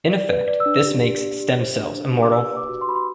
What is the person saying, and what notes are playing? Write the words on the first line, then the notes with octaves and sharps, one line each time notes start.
In effect this makes stem cells immortal.
D5
B4
D5
E6
D4
G4
G4
G4
G4
C5
D4
D4
G4
D6
B4 E6
B4
D6
F#4
C6
F#4 B5
C6